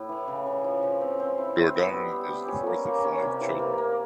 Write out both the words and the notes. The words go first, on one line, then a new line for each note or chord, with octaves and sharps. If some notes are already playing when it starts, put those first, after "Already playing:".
Dourdan is the fourth of five children.
Already playing: A2 E4
E3
C#3
C#3
F3
C#3
C4
C4
E4
C4
B3
G3
G3
G3
C#4
A#3
A#3
C#4
C3
E3
A#3
A#3